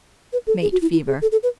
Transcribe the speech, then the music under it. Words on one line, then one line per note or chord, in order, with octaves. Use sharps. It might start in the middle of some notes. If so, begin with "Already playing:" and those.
Mate fever.
B4
A4
G#4
F#4
E4
E4
G#4
A4
A4
B4